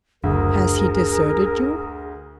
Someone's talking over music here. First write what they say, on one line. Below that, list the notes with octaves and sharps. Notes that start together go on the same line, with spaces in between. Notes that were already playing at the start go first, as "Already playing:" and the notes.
"Has he deserted you?"
F#1 D2 G#4 A#4